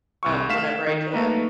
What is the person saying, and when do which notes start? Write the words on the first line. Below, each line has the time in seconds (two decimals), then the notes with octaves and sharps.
um, whenever I can.
0.23 C2 C#6
0.49 A3 F5 B6 E7
0.87 D#3
1.12 A3 A#3 D#4 B4